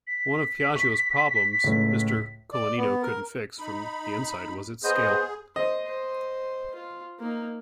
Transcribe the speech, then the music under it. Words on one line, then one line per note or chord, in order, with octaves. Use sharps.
One of Piaggio's problems Mr. Colaninno couldn't fix from the inside was its scale.
B6
C#6
C#2 A2
D5
B3
A#4
D#4 B5
B3 G#4 C5 D#5
C5 D#5
C5
F4
A#3 D#4